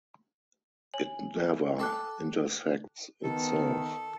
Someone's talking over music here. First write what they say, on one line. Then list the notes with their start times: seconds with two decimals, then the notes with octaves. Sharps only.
It never intersects itself.
0.94 C#5 G#5 F#7
1.79 A4 G5 A5 D6 F#6
3.23 D#3 B3 A4